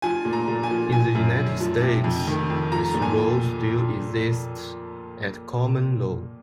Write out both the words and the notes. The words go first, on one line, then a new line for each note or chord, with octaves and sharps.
In the United States, this rule still exists at common law.
F3 G#5
A#2
A#5
A#2
G#5
F3
F3 G#5
F#2
F#2
F3
C3
F2
D#3
F2
F3 A#5
A#2
G#5